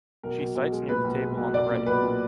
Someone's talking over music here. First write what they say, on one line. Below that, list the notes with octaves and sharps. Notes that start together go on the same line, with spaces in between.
She sites near the table on the right.
B1 A#4
B1
B1
G#3
A#2 B4
B1
G#3
B1
B1 D5
A#2
B1 B4
A#2